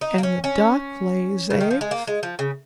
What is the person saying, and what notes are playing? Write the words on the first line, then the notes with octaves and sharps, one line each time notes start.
And the Duck lays eggs.
D#4
A#3
C#4
C#4
C#3
D#3
F3
G#3
A#3
G#3
F3
C#3